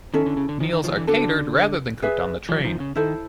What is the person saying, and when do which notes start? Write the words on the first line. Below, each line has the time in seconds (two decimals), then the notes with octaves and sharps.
Meals are catered rather than cooked on the train.
0.14 D#3 C#4 E4 A4
0.26 D3
0.37 C#3
0.49 D3
0.60 D#3 F3
0.73 D#3
0.84 D#3 F3
0.96 D3 E3
1.07 D3 D4 F#4 A4
2.02 G#4 B4 E5
2.49 E3 F#3
2.64 D#3 F3
2.80 C#3
2.95 D#3 E4 A4 C5